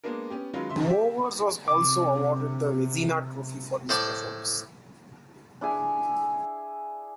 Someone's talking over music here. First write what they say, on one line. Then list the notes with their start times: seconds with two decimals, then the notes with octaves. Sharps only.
Mowers was also awarded the Vezina Trophy for his efforts.
0.04 G#3 A#3 B3 D4 A#4
0.30 B3 C#4 G4
0.53 D#3 F#3 G#3 C#4 F4 B4
0.69 C#3 E5 C6
0.89 G4 E5
1.68 C3 D6
3.89 A2 C5 D5 A5
5.61 D4 E4 G#4 G#5